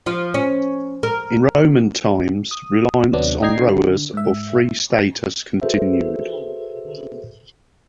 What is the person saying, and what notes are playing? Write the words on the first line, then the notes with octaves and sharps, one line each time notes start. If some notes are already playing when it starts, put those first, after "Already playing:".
In Roman times, reliance on rowers of free status continued.
F3 F4
C#4
A#4
D#6
D#2 C3 F#3 B3 D4
D4 D#5 G5 A#5 G#6 C7
D3
G#2 E5
F#4 G#4 A4 B4 C5 E5